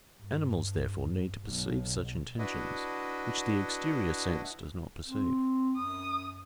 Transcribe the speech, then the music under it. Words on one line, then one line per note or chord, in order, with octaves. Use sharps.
Animals, therefore, need to perceive such intentions, which the exterior sense does not perceive.
G2
B1
D4 E4 F#4 B4 D#5
C4
F#2 D#6